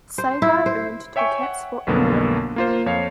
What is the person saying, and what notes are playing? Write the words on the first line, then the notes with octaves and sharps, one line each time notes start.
Sagar earned two caps for England.
C5
E4
C5
C#5 E5 G5 G#5 C#6
F#5
B1 F2 D3 A#3 B3
A#3 F4 C5
F2 C#5 F5 C7